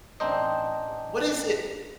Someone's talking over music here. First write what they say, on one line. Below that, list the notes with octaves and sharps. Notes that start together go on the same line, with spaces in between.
u what is it
A1 C4 D4 D#4 C5 D#5